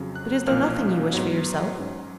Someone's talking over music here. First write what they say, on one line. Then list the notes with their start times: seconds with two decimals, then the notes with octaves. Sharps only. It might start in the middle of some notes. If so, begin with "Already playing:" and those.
But is there nothing you wish for yourself?'
Already playing: F2 C#3 F#3
0.15 F#6
0.47 B1 A#2 F3 A#3 C#4 F6
1.13 G#2 F#3 B3
1.78 G#2 F#3 C#4